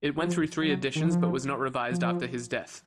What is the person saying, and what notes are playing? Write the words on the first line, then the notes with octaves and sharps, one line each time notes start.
It went through three editions but was not revised after his death.
F3
F#3
D#3
F3
F3